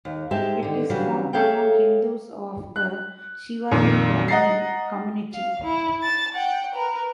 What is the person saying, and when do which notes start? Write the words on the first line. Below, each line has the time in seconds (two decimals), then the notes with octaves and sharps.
It is found among Hindus of the Shivalli Brahmin community.
0.05 D#2
0.31 G#2 G#3 G4 E5 A5
0.63 D3 D#3
0.90 C#3 E3 F#3 G3 D4
1.33 G#4 A4 C#5 E5 F5 G5
2.76 F#6
3.71 F2 A#2 D#3
4.28 D#5 F#5 A#5 A6 C7
5.33 F5
5.64 E4
6.03 A5 A6
6.35 F#5 G5
6.74 A#4 B4